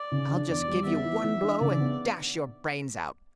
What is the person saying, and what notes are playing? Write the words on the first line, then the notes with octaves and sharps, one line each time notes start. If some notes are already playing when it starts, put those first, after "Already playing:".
I'll just give you one blow, and dash your brains out!'
Already playing: D5
C#3
D4
E2 D5
G3
B3 E5
E3
E3
D4
C#3 D5
B3